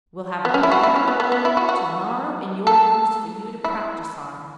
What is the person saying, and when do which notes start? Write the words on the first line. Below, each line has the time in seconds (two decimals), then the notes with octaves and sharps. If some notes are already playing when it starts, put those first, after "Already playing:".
We'll have a piano tomorrow in your rooms for you to practise on.
0.45 B3
0.54 C#4
0.63 E4
0.72 F#4
0.83 E4
0.96 C#4
1.08 B3
1.20 B3
1.32 B3
1.45 E4
1.57 F#4
1.69 F#4
2.67 A4
3.64 E4